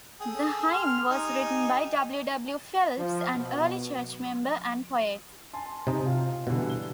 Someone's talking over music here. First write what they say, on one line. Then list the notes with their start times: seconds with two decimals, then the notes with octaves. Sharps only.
The hymn was written by W. W. Phelps, an early church member and poet.
0.21 G#4 A4 G5
0.72 C6 F6
1.10 D#4 G4 G#5
2.98 F3
3.33 B2
5.54 G#5 A5 C6
5.87 C3 D#4
6.06 F4
6.47 B2 D3 E3 G3
6.70 G7